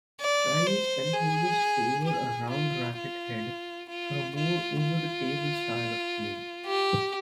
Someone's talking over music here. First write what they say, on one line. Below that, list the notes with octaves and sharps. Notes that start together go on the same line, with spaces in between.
Chinese penholders favour a round racket head, for a more over-the-table style of play.
D5
C5
G#4
G#4
F4
F4
F4
F4
F4
G4